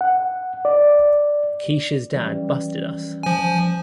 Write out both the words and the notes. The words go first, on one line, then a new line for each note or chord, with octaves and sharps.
Keish's dad busted us.
F#5
D5
E3 G3 C#4
F3 G#5